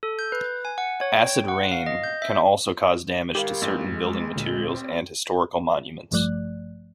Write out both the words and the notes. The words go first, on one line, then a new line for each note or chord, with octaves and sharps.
Acid rain can also cause damage to certain building materials and historical monuments.
A4
G6
B4
G#5
F#5
C#5
G5
F#5
F5
D#5
G6
E5
G#1 G4 A#4 F5
A1 G2
F2 G#3
D2 A#2
C4
A1 G2 F3 A3 D5 F#6